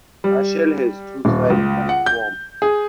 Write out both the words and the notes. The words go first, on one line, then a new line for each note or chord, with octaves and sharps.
Rushall has two side platforms.
G3
D#1
C#2
F#5
G6
G#4